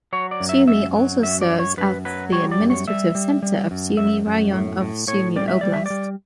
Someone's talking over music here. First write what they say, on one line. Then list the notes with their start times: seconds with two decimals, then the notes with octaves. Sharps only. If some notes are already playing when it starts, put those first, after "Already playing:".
Sumy also serves as the administrative center of Sumy Raion of Sumy oblast.
0.13 F#3 C#5
0.31 D5
0.40 F#2
0.49 E5
0.67 F#2 E5
0.96 F#3
1.23 F#2 E5
1.41 D5
1.50 F#2
1.59 C#5
1.77 F#2 B4
2.05 F#3 B4
2.33 G3 C#5
2.51 D5
2.60 F#2
2.70 C#5
2.88 G3 E5
3.15 G3
3.43 G3
3.71 F#2
3.97 F#2 E5
4.26 F#2
4.52 A2
4.81 A2
5.08 A2 C#5
5.36 G3 D5
5.48 E5
5.61 G3 D5
5.73 E5
5.86 G3 D5